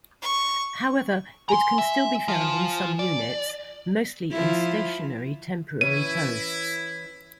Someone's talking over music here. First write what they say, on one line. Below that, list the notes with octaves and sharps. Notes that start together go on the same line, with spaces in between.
However, it can still be found in some units, mostly in stationary temporary posts.
C#6
G#5 A#5 C6
E5
F3 F4
D5
F3 E4
E3 C#4 E4 C#5 D#7